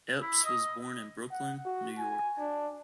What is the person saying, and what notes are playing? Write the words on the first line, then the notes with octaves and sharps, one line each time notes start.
Epps was born in Brooklyn, New York.
E4
D#5
F#5
F#4
G#5
D4